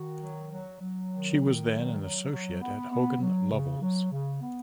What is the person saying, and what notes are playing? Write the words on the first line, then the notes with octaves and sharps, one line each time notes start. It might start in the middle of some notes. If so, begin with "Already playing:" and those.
She was then an associate at Hogan Lovells.
Already playing: D#3 F#4
F#3
F#3
F#3
D#3
D#3
F#3
F#3
F#3
B3
B3
F#3
C#3
F#3
C#3
B3